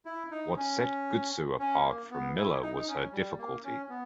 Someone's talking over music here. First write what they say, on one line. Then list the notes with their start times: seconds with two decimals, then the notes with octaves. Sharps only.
What set Gutsu apart from Miller was her difficulty.
0.05 E4
0.31 D#4
0.56 C#4
1.59 C#4
1.84 A#3
2.10 B3
2.36 E4
2.62 D#4
2.76 D#4
2.87 C#4
3.12 G3
3.38 A#3
3.64 C#4
3.89 B3